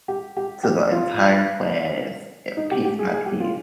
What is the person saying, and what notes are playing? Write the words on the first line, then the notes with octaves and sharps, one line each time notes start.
to the entire class, a piece by piece.
G4
G4
G4
F4
D#4
G4
G4
G#4
G#4
G4
F4